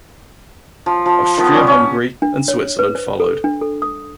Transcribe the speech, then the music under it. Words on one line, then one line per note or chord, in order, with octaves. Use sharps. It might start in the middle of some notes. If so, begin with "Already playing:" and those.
Austria-Hungary and Switzerland followed.
F3
F3
D#3 F3 B3
G3 C#4
C#4
D4
C#5
B4
C5
A4
D4
A4
D#6